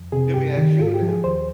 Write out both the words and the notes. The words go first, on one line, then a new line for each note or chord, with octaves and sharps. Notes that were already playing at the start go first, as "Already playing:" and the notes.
Let me ask you now.
Already playing: F2
C3 G#4
G2 G4
D#3
G#2 F4
G4
F3
G#4
D#2 C5